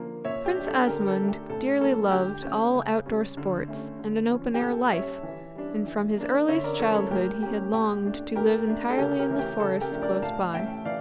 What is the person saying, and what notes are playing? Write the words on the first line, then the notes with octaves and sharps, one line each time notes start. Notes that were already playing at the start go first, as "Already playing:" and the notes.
Prince Asmund dearly loved all outdoor sports and an open-air life, and from his earliest childhood he had longed to live entirely in the forest close by.
Already playing: D3 F3 A#3
A#2 C#5 E5
G4
G3 D4
A4
D3 G4 A#4
A4
A3 D4
G4
A2 A4
F3 A#3 C#4 A4
D3 G4
A3 C#4
C#3
G3 C#4
D3
A3 C#4
D3
F3 C#4
G4
A#2 A4
G3 C#4 C#5 E5
E3
G3 D4
E3
A#3 D4
D3 C#5 E5
A#4 D5
F3 A3 C#4 A4 C#5
A4 C#5
A2 G4 A#4
G3 A#3 C#4 G4
A#2 G4
A3 D4
A#2 G4 A#4
A3 D4
A4
C#3 G4 A#4
G4 A#4
E3 A3 C#4
G4
C#3 A4
G4 A#4
F3 A3 D4
A#4 D5
A2 F5 A5
E3 A3 C#4 E5 G5
E3 D5 F5